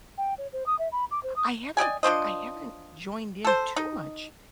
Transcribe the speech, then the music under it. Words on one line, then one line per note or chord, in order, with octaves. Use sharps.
I haven't I haven't joined in too much
G5
C#5
C5
D#6
E5
B5
D6
C5
D#6
D5 D#5 G5 G#5
F3 D4 C5 D#5
A4 C5
D#4